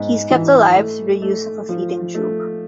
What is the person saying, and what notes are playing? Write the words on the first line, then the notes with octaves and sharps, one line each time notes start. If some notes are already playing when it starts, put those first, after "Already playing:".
He is kept alive through the use of a feeding tube.
Already playing: G#2 B3
E3
A3
A3
F3
A3